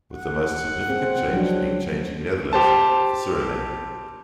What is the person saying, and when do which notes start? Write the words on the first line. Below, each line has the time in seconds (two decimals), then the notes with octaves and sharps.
With the most significant change being changing Netherlands for Suriname.
0.13 F#5
0.89 C4 G#4
1.32 F3 F#3 D4
2.53 G4 C5 A5